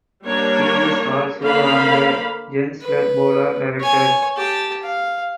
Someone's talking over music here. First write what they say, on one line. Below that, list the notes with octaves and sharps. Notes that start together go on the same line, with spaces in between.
He is also on the Gensler board of directors.
G3 A#3 D4 C#5
D3 A#3 C5 F5 B5
B4
C#5 G#5
G4 A5
F5